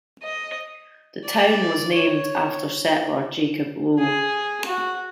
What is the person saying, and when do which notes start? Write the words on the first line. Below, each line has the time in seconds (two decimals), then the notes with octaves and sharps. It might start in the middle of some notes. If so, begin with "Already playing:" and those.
The town was named after settler Jacob Low.
0.23 D#5
1.25 D5
1.93 C#5
3.99 G#4
4.66 F#4